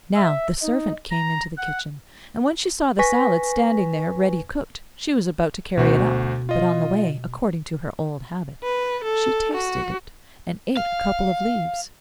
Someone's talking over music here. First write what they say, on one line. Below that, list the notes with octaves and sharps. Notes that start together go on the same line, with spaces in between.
Now the servant came into the kitchen, and when she saw the salad standing there ready cooked she was about to carry it up, but on the way, according to her old habit, she tasted it and ate a couple of leaves.
E5
D#4
A#5
F#5
B4 G#5 C#6 A#6 B6
D2 B2 F#4 C5
F4 D#5
B4
A4
F#4
F5